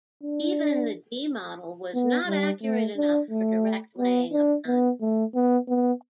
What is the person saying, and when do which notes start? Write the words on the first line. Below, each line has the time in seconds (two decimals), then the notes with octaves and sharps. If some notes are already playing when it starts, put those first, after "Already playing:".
Even the D model was not accurate enough for direct laying of guns.
0.23 D4
1.94 B3
2.27 G3
2.62 A3
2.97 D4
3.30 A3
3.98 B3
4.32 D4
4.67 B3
5.01 A3
5.34 B3
5.68 B3